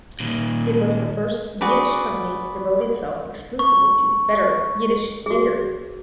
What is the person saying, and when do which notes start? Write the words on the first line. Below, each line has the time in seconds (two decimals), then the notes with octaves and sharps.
It was the first Yiddish company to devote itself exclusively to "better" Yiddish theater.
0.20 A#2 D#3
1.61 F#4 G#4 B4 D5
3.59 C#6
5.26 F#4 G#4